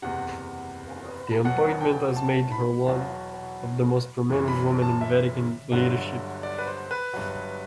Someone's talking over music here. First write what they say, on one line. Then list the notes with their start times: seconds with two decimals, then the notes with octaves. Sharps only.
The appointment has made her one of the most prominent women in Vatican leadership.
0.02 F#1 E2 C3 F#5
1.44 E2 B2 F#3 F#5
1.81 G5
2.16 A5
2.52 B5
2.86 E2 B2 F#3
4.30 F#1 F#2 E3
4.48 B5
4.82 A5
5.01 E5
5.72 G1 G2 D3 F#3
6.43 D5
6.58 B4
6.66 C5
6.91 B4
7.13 G1 G2 F#3